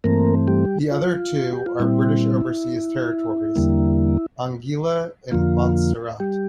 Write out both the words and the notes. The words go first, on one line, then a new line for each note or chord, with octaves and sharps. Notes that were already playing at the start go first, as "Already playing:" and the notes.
The other two are British overseas territories: Anguilla and Montserrat.
G2 E3 A3 A#3 C4 A#4
G3 G4
F4
G4
F4
A#2 G3 C4 E4
E2 D3 G3 A#3
F2 D3 F3 A#3 F4
G3 G4